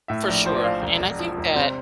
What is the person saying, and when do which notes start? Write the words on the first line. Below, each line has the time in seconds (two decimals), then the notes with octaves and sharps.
For sure. And I think that
0.08 A2 E5
0.28 A#1
0.45 F3 C5
0.55 D5
0.64 A#1 F5
0.82 E1
1.00 E1
1.19 F3
1.38 E1
1.55 C3 C5